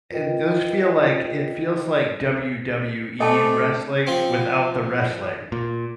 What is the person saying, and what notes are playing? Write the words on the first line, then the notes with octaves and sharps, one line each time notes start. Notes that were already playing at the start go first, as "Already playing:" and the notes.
It does feel like it feels like, WWE wrestling without the wrestling,
F4 A#4 B4 D#5 G5
A3 C4 D4 D#5 A5
F3 C4
A#2